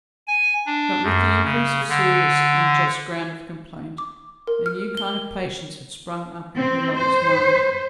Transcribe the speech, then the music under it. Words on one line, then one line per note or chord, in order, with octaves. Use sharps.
But with the increase of serious and just ground of complaint, a new kind of patience had sprung up in her mother's mind.
G#5
D4
F#2
C#3
D3
D6
A#4
F6
G7
C4
C5